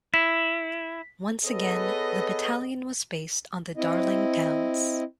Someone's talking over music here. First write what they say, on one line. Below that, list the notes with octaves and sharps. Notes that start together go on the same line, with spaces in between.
Once again, the battalion was based on the Darling Downs.
E4 B6
B3 G#4 A4 B4 C#5 D#5
C4 E4 D#5